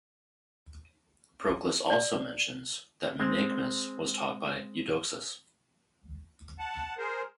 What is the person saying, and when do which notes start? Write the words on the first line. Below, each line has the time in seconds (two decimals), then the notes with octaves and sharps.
Proclus also mentions that Menaechmus was taught by Eudoxus.
1.90 D5
3.20 G#3 C4
6.59 F#5 A5
6.98 G#4 A#4 C5